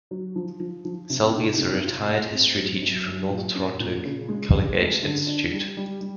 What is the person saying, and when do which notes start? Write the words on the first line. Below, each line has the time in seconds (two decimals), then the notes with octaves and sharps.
Selby is a retired history teacher from North Toronto Collegiate Institute.
0.11 F#3
0.36 F3
0.60 F3
0.85 F3
1.10 C3
1.35 D#4
1.59 C3
1.84 F4
2.08 A3
2.32 C4
2.57 F#3
2.82 F#2
3.06 F#2
3.30 A#2
3.55 C#4
3.80 A#2
4.05 C#3
4.28 G#3
4.53 C#3
4.78 A3
5.02 D3
5.27 D4
5.52 G3
5.77 G3
6.01 G3